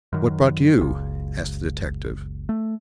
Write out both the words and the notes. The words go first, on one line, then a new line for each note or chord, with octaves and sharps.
"What brought you?" asked the detective.
F#2 D#3
F#1 C#2
A3